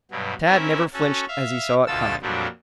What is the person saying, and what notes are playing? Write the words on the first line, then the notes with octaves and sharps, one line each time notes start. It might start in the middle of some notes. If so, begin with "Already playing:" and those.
Tad never flinched as he saw it coming.
G2 B2 F#3
C4 C#4 E4 A#4 E5
C#4 F#4 A4
E5 F5
D2 B2 F4 A4 E6 A6
F2 A#2 F#3 G3 D4